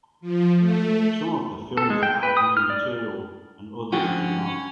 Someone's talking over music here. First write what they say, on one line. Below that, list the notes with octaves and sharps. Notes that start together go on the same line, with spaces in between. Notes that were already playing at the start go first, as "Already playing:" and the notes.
Some of the films add new material, and others do not.
F3
A3
A4
G#3
G5
B4
D#6
F6
D5
D3 F3 C#4 F#4 G5